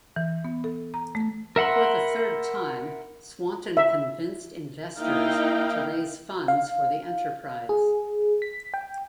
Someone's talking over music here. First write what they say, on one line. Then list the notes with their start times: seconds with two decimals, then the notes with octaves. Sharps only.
For the third time Swanton convinced investors to raise funds for the enterprise.
0.16 E3
0.44 B3
0.64 A4
0.94 A#5
1.15 A3
1.56 A#4 E5 F#5 B5 C6
3.77 E5
4.98 A#3 D#4 E4 F5 G5
6.48 F5
7.69 G#4
8.42 B6
8.74 G5